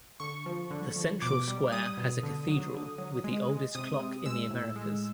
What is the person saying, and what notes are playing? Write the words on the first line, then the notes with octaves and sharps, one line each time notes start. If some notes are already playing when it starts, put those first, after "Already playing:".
The central square has a cathedral with the oldest clock in the Americas.
D3 C#6
F3
D3
F3
B2 D6
G3
G3 D#6
B2
D3
F#3
D3
F#3
G#3
G#3
C3 D#6
C3
G#3 E6
A2
G#3